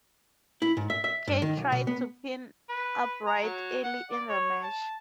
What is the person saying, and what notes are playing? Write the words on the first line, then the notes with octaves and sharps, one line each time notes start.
Cade tried to pin Albright early in the match.
E4
G#2
E5
E5
G2
D#3
B1
B2
B3
B4
A#5
F#3
F#5
D5
C#5
A5